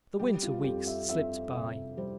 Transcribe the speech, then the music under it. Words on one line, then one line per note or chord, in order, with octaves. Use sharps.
The winter weeks slipped by.
G3 G4
F4
F2 G4
E5
F2 E5
C3 E5
G3 C5